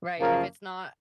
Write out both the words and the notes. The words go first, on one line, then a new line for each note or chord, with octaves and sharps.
Right, if it's not
F#2 C#3 F3 A#3